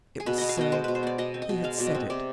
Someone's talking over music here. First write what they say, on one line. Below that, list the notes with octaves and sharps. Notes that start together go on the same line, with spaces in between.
It was so; he had said it.
G#4
B2 B4
B3 D#5
F5
B2 D#5
G#3 C5
B2 B4
C5
B3 D5
B2 D#5
C4
D#5
B2
G#3 F5
B2 D5
D#5
C4
C3 D5